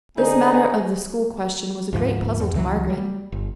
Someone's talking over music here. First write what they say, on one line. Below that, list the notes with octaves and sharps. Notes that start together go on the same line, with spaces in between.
This matter of the school question was a great puzzle to Margaret.
D3 D#4 G#4 C5
D2 G#2 F3
E2
C#2 E3 F#3
G3
G1